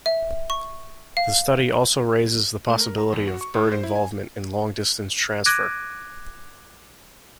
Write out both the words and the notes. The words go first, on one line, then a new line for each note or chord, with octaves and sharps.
The study also raises the possibility of bird involvement in long-distance transfer.
E5
C#6
F5
A3
A#4
A#5
E2
F#4
C#6
A2
C5
E4
G#5
D6 F#6 G#6 A#6 D7 D#7